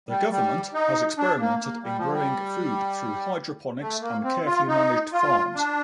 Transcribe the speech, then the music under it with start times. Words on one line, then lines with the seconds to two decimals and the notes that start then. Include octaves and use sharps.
The government has experimented in growing food through hydroponics and carefully managed farms.
0.09 G3
0.31 G3
0.74 D#4
1.18 D4
1.40 A#3
1.62 A#3
1.83 G3
1.98 F3
2.12 G3
3.81 A3
4.02 A#3
4.24 C4
4.46 F4
4.68 D#4
5.12 F4
5.55 D4